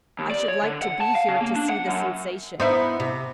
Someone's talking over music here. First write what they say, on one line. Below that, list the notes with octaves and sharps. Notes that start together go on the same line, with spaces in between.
I should like to be here to see the sensation.
D#2
D5
C#5
D3
F#5
A5
F5
C#3
A#3
D4
F#5
F#2
B3 D#4 E4 C5
C3